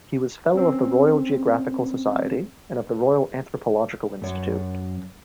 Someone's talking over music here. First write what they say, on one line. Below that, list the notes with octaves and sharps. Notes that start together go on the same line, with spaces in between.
He was fellow of the Royal Geographical Society and of the Royal Anthropological Institute.
C4 C#4
F#2 C#5